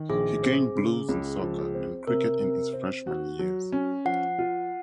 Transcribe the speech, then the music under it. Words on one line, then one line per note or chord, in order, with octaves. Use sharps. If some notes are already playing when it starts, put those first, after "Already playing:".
He gained blues in soccer and cricket in his freshman year.
Already playing: D#3
A#1 G#4
C4
C#3
C#2
F3
C4
C3 A#4
C3
C4
F#4
F#3
C#4
F3 F#5
F4